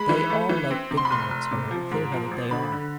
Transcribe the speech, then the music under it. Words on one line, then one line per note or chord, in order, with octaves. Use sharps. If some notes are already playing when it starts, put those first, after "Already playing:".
They all like big words, however clear-headed they are.
Already playing: G#3 B5
E3
A3
E3
C4
C3
C6
B5
F1 C6
F1
C3
F3
G#2
F3
G#1
D3 B5
D3